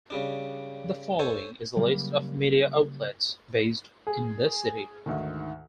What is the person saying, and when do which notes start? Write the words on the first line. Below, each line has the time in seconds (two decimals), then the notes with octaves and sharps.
The following is a list of media outlets based in the city.
0.10 C#3 G3 D4
1.19 A4 C5 C#5 G#5
1.77 C#3 F#3 G3 A#3
4.07 G#4
5.06 D2 G#2 D#3